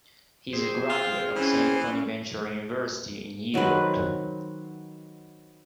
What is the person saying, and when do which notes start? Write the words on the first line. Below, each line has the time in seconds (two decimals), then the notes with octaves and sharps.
He is a graduate of Saint Bonaventure University in New York.
0.53 C4 G#4 C5
0.90 F4
1.36 E3 C#4
1.92 C#4
3.54 D#3 F#3 C4 B4